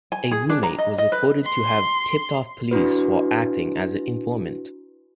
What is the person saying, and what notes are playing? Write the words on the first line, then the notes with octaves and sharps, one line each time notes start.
A room-mate was reported to have tipped off police, while acting as an informant.
G#5
G#4
D4
A#5
D#5
D#5
B4
C6
D4 E4 F#4 B4